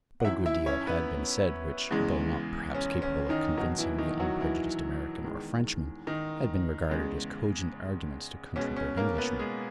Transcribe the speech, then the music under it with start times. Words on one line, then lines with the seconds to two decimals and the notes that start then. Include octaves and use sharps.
But a good deal had been said which, though not perhaps capable of convincing the unprejudiced American or Frenchman, had been regarded as cogent arguments to country-bred Englishmen.
0.20 F#5
0.25 F#2 D#3 F#3 E4 E5
0.46 E4 E5
0.66 C#4 C#5
0.87 B3 B4
1.91 E2 C#3 E3 G#3
2.75 C#4
3.02 C#4
3.29 D#3 D#4
3.57 B2 D#3 F#3 D#4
3.78 E3 E4
3.98 D#3 D#4
4.19 F#3 F#4
4.40 E3 E4
5.24 E2 D#3 G#3
6.07 D#3 D#4
6.89 E2 C#3 G#3
8.56 B2 G#3 C#4
8.76 C#4
8.97 A#3 A#4
9.18 B3 B4
9.39 G#3 G#4